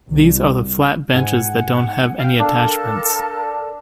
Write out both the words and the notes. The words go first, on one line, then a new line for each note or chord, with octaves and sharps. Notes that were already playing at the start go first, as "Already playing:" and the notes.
These are the flat benches that don't have any attachments.
C2
G#2 F#5 G#5
F5 G5
D4 A4 A#4 A5